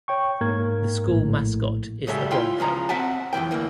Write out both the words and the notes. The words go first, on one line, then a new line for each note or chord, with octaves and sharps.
The School Mascot is the Bronco.
C#5 G5 C#6
G#2 A#3 A#4 G#6
A#1 A2
F#2 C#3 G3 G#3 A4 E5
E4 F4 G5 C6
C#2 C#3 F3 A#5
C4 F#4 E5 F#5 A5
F2 C3 E3 G5
D2 E3 A#3